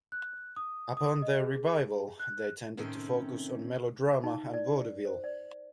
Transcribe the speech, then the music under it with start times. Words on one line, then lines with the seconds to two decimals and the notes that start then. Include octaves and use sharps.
Upon their revival, they tended to focus on melodrama and vaudeville.
0.12 F#6
0.56 D#6
0.97 D#6
1.22 D#5
1.39 G#4
2.20 F#6
2.77 A2 C3 D#3 C4 C#4
4.24 D#4
4.54 D5
5.05 C5
5.24 D5